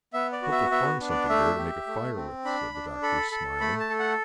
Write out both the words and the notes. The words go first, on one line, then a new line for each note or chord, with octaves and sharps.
"I hope we'll find something there to make a fire with," said the Doctor, smiling.
B3 E5
D5
F#4
E5
B3 E5
D4
D5
A3 E5
G4
A3
C4
D4 B5
D4
A4 B5
A4
A3 B5
A5
A4
F#5